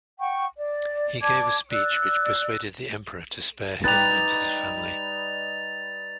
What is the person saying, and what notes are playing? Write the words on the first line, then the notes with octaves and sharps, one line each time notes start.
He gave a speech which persuaded the emperor to spare him and his family.
F#5 G5 C#6
D5
D5 A5 D6 G#6
D5 E6 F#6
G3 D#4 B4 A6 F7